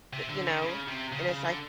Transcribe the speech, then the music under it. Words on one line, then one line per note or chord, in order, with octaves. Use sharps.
Th You know? And it's like
C3
D3
D3
C#3
C3
C#3
C#3
D3